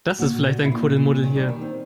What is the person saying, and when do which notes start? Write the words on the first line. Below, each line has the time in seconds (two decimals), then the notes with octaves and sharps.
Das ist vielleicht ein Kuddelmuddel hier.
0.18 A#2 F#4
0.45 A#2
0.65 E4
0.71 A#2 F4
0.97 A#2
1.23 D#3 C#4
1.35 G3
1.48 D#3
1.61 C4